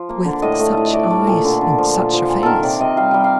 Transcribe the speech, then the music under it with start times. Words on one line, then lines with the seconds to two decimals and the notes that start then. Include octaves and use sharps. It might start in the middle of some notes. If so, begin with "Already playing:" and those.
With such eyes in such a face!
Already playing: F3
0.09 A#3
0.25 D3
0.42 A2 D#5
0.60 A3
0.77 A2
0.86 D#5
0.93 A3 D5
1.11 A3
1.27 A#2
1.45 D3
1.61 D3
1.78 F3
1.96 A#2
2.13 F3
2.29 A#2
2.43 D#3 A4 A#4
2.63 C3 D5
2.80 C3 D#5
2.97 G3 F5
3.11 G3 G5
3.24 F5